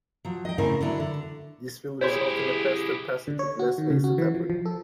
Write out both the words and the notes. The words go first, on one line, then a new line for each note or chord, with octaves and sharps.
This will result in a faster passage with less wasted effort.
F3 F#3
D#5 G5
A2 C#3 C4 C#4 A#4 C5
D3 F#3 D4 E4
D3
E4 G4 G#4 C5 C#5 C6
D3
C#5
F#4
D#3
C#3
F#4
E3
F3
F3
A4